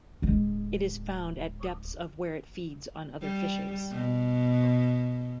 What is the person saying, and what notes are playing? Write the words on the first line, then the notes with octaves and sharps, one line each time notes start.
It is found at depths of where it feeds on other fishes.
D1 G#3
G3
B2